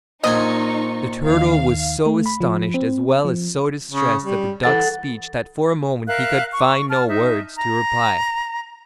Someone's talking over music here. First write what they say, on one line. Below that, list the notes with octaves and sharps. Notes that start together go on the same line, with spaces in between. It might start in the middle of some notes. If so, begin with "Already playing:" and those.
The turtle was so astonished as well as so distressed at the duck's speech that for a moment he could find no words to reply.
A#1 A#2 D#4 D#5 G#5 C#6
D#2 D#3 F5
A3
B5
F3
C4
F3
C#3
G3
E3 A4 F#5 A6
A#4 E5 F5 F#6
C#6
A5 F6
D#4 E5
A#5